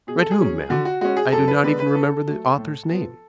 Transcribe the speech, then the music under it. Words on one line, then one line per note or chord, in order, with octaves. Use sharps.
"Read whom, ma'am?--I do not even remember the author's name."
B2 G#4
A4
G#4
F#3 C#4
D3 F#4
F#4
G#3 C#4 F#4
G#4
F#2 A4
B4
D3 G#3 B3 D4 B4
B4
C#3 A4
F#3 A3
A2
F3 B3